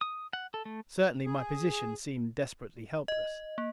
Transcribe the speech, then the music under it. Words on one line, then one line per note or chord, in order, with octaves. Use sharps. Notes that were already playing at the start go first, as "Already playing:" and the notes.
Certainly my position seemed desperately helpless.
D#6
F#5
A4
A3
G#4
D#5
A#3